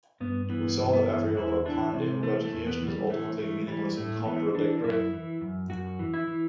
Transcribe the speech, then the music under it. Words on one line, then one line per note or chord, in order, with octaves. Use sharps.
We saw that every other apparent aim of education is ultimately meaningless and contradictory.
G2 B3
E3 B3
G2
B3
E3
E2 E4
E3 D4
C3
E3 A3
A3
E2
B3
E3
G3
E3 A3
E3 A3
E3 G3
A2 A3
E3 B3
E3 D4
F#2 E4
E3
F#2
F#2 F#4
E3
E4
E3